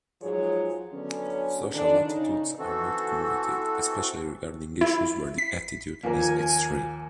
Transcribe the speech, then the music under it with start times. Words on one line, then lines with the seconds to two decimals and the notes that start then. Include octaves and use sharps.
Social attitudes are not cumulative, especially regarding issues where the attitude is extreme.
0.22 G#2 F3 F#3 G#4 C#5
0.92 D3 F#3 B3 C#4
1.72 D3 D#3 D4
2.05 C#3 D#4
2.59 E3 C4 F#4 A4
4.81 E4
5.38 B6
6.03 D#2 F3 A#3 A#4 G#5